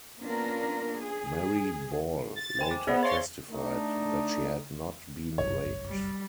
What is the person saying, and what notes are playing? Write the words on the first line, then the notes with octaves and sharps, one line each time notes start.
Mary Ball later testified that she had not been raped.
A#3 B3 C#4 D4 F4 A#4
G#4
A6
C5 G5 G#5
D6
B3 G#4 C5 D5
C5 C#5 F5 C6 A6
A3 D4 D#4
G1 C2 F#2 C#5
G3